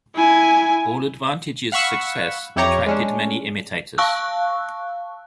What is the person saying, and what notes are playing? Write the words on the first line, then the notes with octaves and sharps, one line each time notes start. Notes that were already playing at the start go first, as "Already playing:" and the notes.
AllAdvantage's success attracted many imitators.
E4 G#5
F5 F#5 B5 C#6 E6
F2 E4 G4 C#5 A#5
G#3 C#4 D4
F5 A5 C#6 E6 F#6